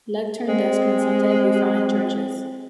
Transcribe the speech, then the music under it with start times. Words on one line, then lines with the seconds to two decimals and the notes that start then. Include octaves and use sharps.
Lectern desks can sometimes be found in churches.
0.48 G#3 C4